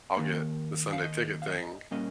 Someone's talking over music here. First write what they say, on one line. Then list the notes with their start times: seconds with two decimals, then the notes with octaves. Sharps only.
I'll get the Sunday ticket thing,
0.17 D#2 D#3 A#3
0.92 F5
1.04 D#5
1.42 F5
1.47 D#5
1.91 A#2 G3 A#3 C#4 D#5